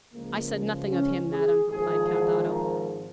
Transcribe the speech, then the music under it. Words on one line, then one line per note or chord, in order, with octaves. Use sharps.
"I said nothing of him, madam," replied Count Otto.
C#2 C#3 F3 G#3 A#3
C#4
G#4
G#1 G#2 F3 G#4
A#4